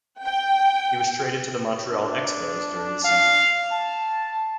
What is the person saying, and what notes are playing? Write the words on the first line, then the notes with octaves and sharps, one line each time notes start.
He was traded to the Montreal Expos during the season.
G5
D4
F5
A5